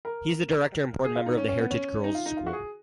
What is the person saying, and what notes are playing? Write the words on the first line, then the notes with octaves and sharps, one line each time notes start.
He is the director and board member of Heritage Girls School.
A#4
G#4
F4
D#4
C#4
C#4
B3
C#4
D#4
F4
D#4
F4
F#4
G#4